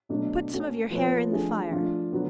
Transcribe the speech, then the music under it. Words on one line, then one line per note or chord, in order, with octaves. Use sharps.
Put some of your hair in the fire.
B2 F#3 A3 D4
A3 C#4 F#4 A4
F3 B3 F4 A4 C#5
F3 A3 D4 G#4
F3 A3 D4 F4
D3 F#3 B3 F#4